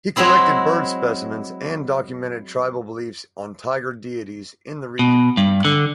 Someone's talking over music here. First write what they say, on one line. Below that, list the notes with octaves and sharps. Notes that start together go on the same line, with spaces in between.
He collected bird specimens and documented tribal beliefs on tiger deities in the region.
F#3 G#3 C4 E4 G#4
B2
G2
D3